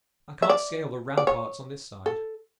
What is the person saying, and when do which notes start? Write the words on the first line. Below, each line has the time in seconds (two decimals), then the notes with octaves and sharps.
I can't scale the ramparts on this side!'
0.42 E5
0.50 D5
1.17 D5
1.27 C#5
2.06 A4